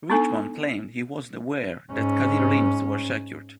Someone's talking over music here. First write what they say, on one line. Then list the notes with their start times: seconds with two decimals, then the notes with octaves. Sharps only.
Richmond claimed he wasn't aware that Kadir's limbs were secured.
0.10 B3 D4 D#4 A4 G#5
1.91 G#2 C#4